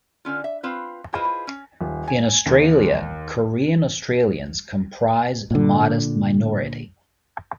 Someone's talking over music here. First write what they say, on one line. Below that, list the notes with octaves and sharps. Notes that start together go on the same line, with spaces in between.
In Australia, Korean Australians comprise a modest minority.
D3 C#4 F4
E5
C4 F4 B4
E4 F4 G#4 B4 C5 D#5
C#4
D#1
G#5
D#2
A#2 D3